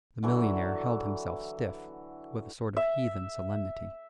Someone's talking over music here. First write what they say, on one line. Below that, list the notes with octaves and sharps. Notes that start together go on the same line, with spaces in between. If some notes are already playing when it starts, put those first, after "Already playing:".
The millionaire held himself stiff with a sort of heathen solemnity.
D3 E3 F#3
E5